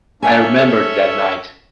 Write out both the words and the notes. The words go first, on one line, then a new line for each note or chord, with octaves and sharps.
I remember that night.
A#3 C#4 D4 E5 G#5
A4